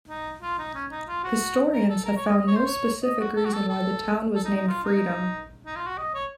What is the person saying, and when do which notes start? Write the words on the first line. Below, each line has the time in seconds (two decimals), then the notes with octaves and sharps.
Historians have found no specific reason why the town was named Freedom.
0.09 D#4
0.42 F4
0.58 D#4
0.74 C#4
0.91 D#4
1.08 F4
1.24 F#4
1.73 A#4
1.89 A4
2.05 A#4
2.16 C#5
2.27 D#5
2.38 D#5
2.47 C#5
2.56 C5
2.65 C#5
3.04 D#5
3.19 F#4
3.36 A4
3.45 F#4
3.53 A4
3.68 A4
4.35 A4
4.45 D#4
4.56 D#4
4.68 F4
4.84 D#4
5.66 D#4
5.76 F4
5.87 F#4
5.98 D#5
6.14 C#5